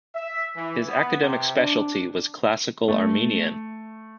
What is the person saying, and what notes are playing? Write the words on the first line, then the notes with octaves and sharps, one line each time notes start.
His academic specialty was Classical Armenian.
E5
E3
B3
C3
D4
A3